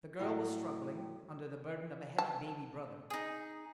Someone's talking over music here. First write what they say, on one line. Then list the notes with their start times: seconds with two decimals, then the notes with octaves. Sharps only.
The girl was struggling under the burden of a heavy baby brother.
0.19 A2 F#3 G5
2.18 A5
3.10 D#4 G#4